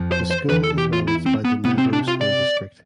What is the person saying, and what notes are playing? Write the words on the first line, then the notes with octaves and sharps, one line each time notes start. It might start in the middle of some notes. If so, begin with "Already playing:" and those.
The school is managed by the Nebo School District.
Already playing: F2 F3
C5
C5
E2 E3 B4
A4
G4
F4
E4
C4
B3
C3 B3
C4
D4
F4
D5